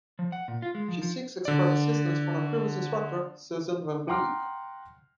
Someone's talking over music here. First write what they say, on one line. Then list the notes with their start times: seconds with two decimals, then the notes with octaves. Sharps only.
She seeks expert assistance from a previous instructor, Susan van Bleeck.
0.19 F3
0.32 F#5
0.48 A#2
0.62 F4
0.75 G#3
0.88 F3
1.02 F3
1.45 D3 D5
4.08 F#5 G5 A#5 C6 D6 F6